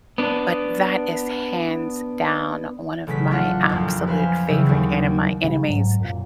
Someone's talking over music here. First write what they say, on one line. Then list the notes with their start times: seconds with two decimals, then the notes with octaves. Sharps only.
but that is hands down one of my absolute favorite animi animes
0.18 B3 D4
3.07 A1 C#3 F#3 B6
3.31 D4 F4 F#5
3.69 A#1 F2
4.08 B4 C5 F5 G#5
4.48 C#3 E3 F#3 G3 E4
4.69 D#2
5.44 C#3 G3
5.65 G#2 F#3
6.01 F#2 A#2